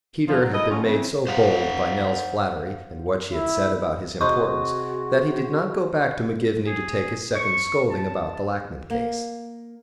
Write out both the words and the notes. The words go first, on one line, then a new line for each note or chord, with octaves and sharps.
Peter had been made so bold by Nell's flattery and what she had said about his importance, that he did not go back to McGivney to take his second scolding about the Lackman case.
E2 F3
F#3
E4 A4 D#5
F3 F#3 C#4 F4
C#3 E3 C4
C5 F5 F#5
E4
C3 F#4 G#4 D#5 C6 C#6
G#4
C#6
A5
A#3